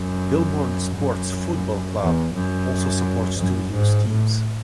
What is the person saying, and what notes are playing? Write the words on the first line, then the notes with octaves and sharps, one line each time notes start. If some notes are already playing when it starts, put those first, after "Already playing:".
Milborne Sports Football Club also supports two youth teams.
Already playing: F#2
F#2
E2
F#2
F#2
G#2
A2